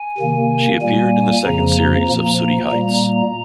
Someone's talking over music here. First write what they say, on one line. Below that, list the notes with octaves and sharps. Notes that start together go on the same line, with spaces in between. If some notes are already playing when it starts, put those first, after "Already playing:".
She appeared in the second series of "Sooty Heights".
Already playing: G#5
C3 D#3 A#3
A#2 G3 A#3 G#5
F2 C#3 F3 A#3 A#5
A#2 F3 A#3
A#5
A#2 G3 A#3